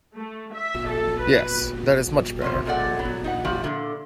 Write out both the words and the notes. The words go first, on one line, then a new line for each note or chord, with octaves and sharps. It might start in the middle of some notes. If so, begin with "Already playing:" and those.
Yes, that is much better.
A3
E5
A4
B4
C3 B3 C#4 C5
A#2 G#3 A3 F4 D5 F#5
F#3 B3
D#4 B4 F#5
F3 G3 E4 F#4
A#2 D3